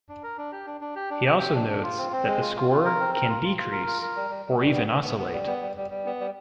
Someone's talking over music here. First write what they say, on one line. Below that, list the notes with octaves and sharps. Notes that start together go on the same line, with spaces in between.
He also notes that the score can decrease, or even oscillate.
D4
A#4
D4
G4
D4
D4
G4
D4
G4
G4
D4
D4
F4
C4
C4
G#3
F4
F4
F4
A#4
C4
A#4
F4
F4
F4
A#4
F4
A#4
G3
G3
G3
G3
B3
B3
B3
B3
G3
B3
G3
G3
G3
B3
G3